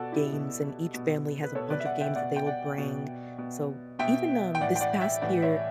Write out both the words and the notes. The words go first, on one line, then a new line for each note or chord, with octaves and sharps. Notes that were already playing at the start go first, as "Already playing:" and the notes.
games, and each family has a bunch of games that they will bring. So even, um, this past year,
Already playing: B2 F#4 A4 D5
E4 G4
B2
B2
B4
B2 A4 C#5
B4 D5
E5
D5 F#5
E5 G5
B2 D5 F#5
G5
D5 F#5
B2
B2
B2 E5 G5
G5
A2 E3 D5 F#5
G5
D5 F#5
E5 G5
A2 E3 D5 F#5
C#5 E5